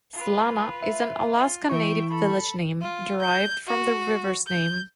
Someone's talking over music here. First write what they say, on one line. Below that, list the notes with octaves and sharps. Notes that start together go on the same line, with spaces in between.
Slana is an Alaska Native village name, derived from the river's name.
F4 B4
E5
F4
E3 E4 E5 G5 C#6
A4 B5
F4
G6
F#4
G6